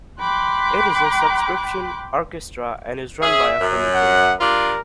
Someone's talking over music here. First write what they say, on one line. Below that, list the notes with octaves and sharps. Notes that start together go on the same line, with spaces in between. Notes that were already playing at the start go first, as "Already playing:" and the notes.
It is a subscription orchestra and is run by a committee.
G5 B5 C6 D6 F#6
C#4 G#4 E5
F#2
F#5
G3 D4 F4 A#4